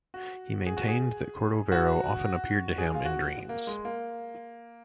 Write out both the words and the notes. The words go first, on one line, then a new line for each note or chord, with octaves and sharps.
He maintained that Cordovero often appeared to him in dreams.
F#4
G#4
F#4
G#4
F#4
G#4
F4
F#4
A#3
G#3
A#3